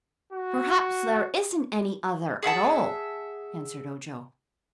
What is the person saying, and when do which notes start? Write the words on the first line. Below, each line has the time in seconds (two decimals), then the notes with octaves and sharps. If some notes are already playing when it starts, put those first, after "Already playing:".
"Perhaps there isn't any other, at all," answered Ojo.
0.33 F#4
2.43 G#4 E5 F#5 A5